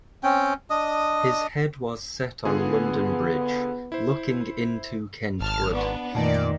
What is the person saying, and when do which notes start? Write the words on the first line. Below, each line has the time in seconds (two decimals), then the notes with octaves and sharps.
His head was set on London Bridge, 'looking into Kentward'.
0.23 C4 C#4 G5
0.70 D4 D#5 D#6
2.45 D3 B3 F4 G#4
3.92 E4 C5
5.41 G#1 A5 F6
5.72 B3 D4
6.15 F2 A#2 D#3 A3 D5